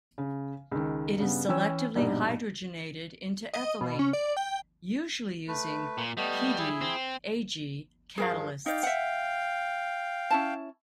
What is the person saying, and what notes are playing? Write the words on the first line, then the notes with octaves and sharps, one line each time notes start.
It is selectively hydrogenated into ethylene, usually using Pd-Ag catalysts.
C#3
C#2 D#3
G2 C#3 B3
E3 C#4 G5 E6
A#1 G2 B2 D#4 D5
D#5
B2
C#4
D5
G5
A3 B4
A#2
G3 A3 B3 D#5
E4 G#4
C4
G2 F3 G#4 A#4 F5
D#4 D5 F5 G5
E5 F#5
C#4 E4 A5